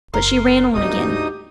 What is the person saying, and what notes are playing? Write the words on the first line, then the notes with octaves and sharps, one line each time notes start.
But she ran on again.
F#1 A#4 C6
D2 G#2 D#4 E4 G4 D#6